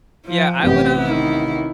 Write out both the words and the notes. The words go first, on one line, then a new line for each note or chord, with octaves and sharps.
Yeah, I would, uh,
F3
A1 C3 B3 G4
D#3 E4